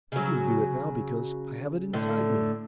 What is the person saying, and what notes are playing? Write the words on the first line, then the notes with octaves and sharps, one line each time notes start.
I can do it now because I have it inside me.
C#3 F#3
A2 D3